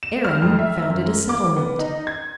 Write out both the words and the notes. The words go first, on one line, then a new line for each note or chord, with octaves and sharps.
Aaron founded a settlement.
E7
F6
F2
E5
F#2
D6
B3
D#4
G#6